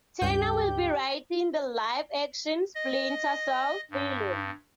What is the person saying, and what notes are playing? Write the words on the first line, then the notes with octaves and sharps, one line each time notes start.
Turner will be writing the live action "Splinter Cell" film.
C#2 G2 G4 G6
D#5
G2